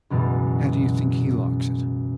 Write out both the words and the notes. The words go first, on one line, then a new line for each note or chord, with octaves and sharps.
How do you think he likes it?'
C#2 F#2 B2 E3 G3 G#3